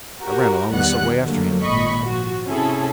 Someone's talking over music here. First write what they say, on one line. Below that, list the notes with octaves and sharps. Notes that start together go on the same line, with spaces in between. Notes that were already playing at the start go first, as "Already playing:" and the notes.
I ran along the subway after him.
F#4 G4 A#4
E2 D#3 G3 B3 F#5 F#6
D3 F#3 A3 A#3
G#1 A#2 D#5 B5 C#6
F3 F#4
C3 C#4 E4 G#4 A4